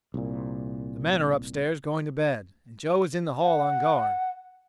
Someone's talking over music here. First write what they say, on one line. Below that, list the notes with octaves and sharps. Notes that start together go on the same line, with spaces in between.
The men are upstairs going to bed, and Joe is in the hall on guard.
C2 A#2
F#5